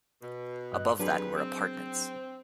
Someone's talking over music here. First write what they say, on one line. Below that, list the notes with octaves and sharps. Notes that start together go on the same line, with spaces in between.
Above that were apartments.
B2
G2 D#5 F#6
F2 F#3 G3 D4 G#4 B4
C4